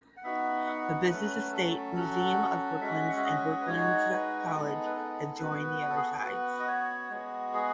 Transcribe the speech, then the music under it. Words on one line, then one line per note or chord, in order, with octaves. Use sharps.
The business estate, museum of Brooklands and Brooklands College adjoin the other sides.
F#5
B3 D#4 F#4 E5
F#5
F#3 A3 C#4 B4
A4
F#3 C#4 F#4
G#3 C#4 F#4 E5
F#5
E5
D#5
B4
G#3 D#4 F#4 C#5
B4
B4
G#3 B3 D#4 A4
B4
A4
B3 F#4 B4
B4
A4
G#4
A4
B3 F#4 B4
D#5
C#5
G#3 B3 F#4
G#4